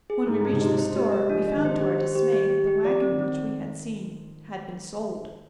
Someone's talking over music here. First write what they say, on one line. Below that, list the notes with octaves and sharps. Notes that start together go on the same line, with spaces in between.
When we reached the store, we found to our dismay that the wagon which we had seen had been sold.
G#4
G#2 G#4
G#2
D#4
C3
G#3 D#5
C4 C5
G#3 G4
G3 D#5
F3 D4
D#5
D#3
C5
G4
C5
G4
G4
G4
G4
F3 D5
C4
D#3
C4